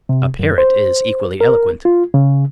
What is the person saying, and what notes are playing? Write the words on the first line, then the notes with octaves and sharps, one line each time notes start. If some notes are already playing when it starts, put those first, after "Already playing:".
A parrot is equally eloquent.
C3
F#2
C5
A#4
F4
C#3